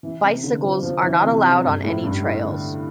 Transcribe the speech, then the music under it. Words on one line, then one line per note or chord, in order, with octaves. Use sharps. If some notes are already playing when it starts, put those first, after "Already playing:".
Bicycles are not allowed on any trails.
E3
C3
D3
F3
F3
E3
C3
C3
G2
A2
G2
A2
D3